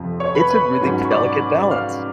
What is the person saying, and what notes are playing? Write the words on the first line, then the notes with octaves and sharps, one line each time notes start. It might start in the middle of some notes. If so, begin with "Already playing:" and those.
It's a really delicate balance.
Already playing: F1 F2 F3
C#5 C#6
B4 B5
B4 B5
G#2 F#3 C#4
C#6
D5 D6
F5 F6